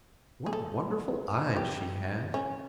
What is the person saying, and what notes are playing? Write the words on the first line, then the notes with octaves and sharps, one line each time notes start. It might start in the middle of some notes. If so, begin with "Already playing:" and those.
What wonderful eyes she has.
G#4
A4
G4
C#4